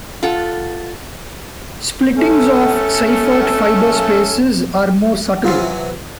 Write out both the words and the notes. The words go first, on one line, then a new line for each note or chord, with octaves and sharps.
Splittings of Seifert fiber spaces are more subtle.
F4 A4 F#5
A3 C#4 A4
C3 E3 F#3 F4